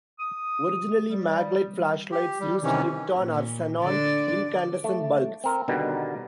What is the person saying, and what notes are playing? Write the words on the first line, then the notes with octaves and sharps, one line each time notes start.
Originally Maglite flashlights used krypton or xenon incandescent bulbs.
D#6
G3
G4
G3
C3 D#3 E3 C#4
A#2
D3 D4 D5
A3
C4 A#4
B2 D3 D#3 G3